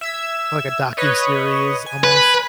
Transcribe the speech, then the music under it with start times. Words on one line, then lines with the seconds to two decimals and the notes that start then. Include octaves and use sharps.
Like, a docuseries almost?
0.01 E5 E6 G#6
0.97 B4 C#5 D#5
1.86 G#5
2.04 B4